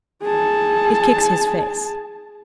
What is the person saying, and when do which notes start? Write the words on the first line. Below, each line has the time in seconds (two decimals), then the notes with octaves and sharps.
It kicks his face.
0.23 G#4 A5